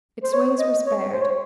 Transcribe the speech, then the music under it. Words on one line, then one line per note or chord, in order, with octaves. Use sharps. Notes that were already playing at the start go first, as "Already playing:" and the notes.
Its wings were spared.
C5
C#5
D#5
C#5
C5
C#5
C5